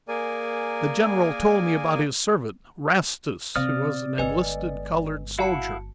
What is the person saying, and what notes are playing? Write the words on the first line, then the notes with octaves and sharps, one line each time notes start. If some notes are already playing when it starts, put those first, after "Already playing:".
The general told me about his servant, "Rastus," who was an enlisted colored soldier.
A#3 G#4 A#4 D5 G#5
C3 C5 D5 F5 D#6 F6
G1 G#3 B4 D#5 G#5
E4 F#4 F5 F#5 A5 C#7